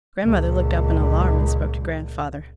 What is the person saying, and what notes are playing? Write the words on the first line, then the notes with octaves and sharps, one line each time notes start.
Grandmother looked up in alarm and spoke to grandfather.
C#2 A#2